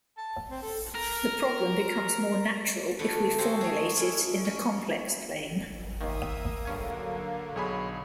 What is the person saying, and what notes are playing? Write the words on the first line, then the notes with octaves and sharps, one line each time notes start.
The problem becomes more natural if we formulate it in the complex plane.
A5
C4
A4
A#4
D3 A3 B3
C4 F#4 G#4 A4 C5
G#4 C#5
C#4 E4
C#4
D#2 D#3 A#3 E5 D#6
G2 D3 F#3 C#4 G#5
B1 G#4 C#5 B5